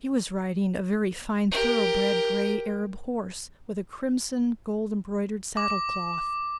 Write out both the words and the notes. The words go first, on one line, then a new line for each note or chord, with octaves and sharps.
He was riding a very fine thoroughbred gray Arab horse with a crimson gold-embroidered saddlecloth.
G4 A#4
D6